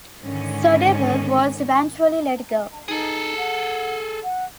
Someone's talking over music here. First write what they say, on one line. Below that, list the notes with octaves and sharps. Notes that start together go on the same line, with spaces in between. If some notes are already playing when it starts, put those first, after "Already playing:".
Soderbergh was eventually let go.
G#2 D3 D#3 C#4
D#4 G#4 A4
F#5
F#5